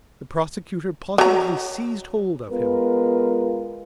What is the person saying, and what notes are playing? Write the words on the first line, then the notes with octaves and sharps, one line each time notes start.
The prosecutor positively seized hold of him.
F#3 A#5
G#3 B3 F4 A#4 B4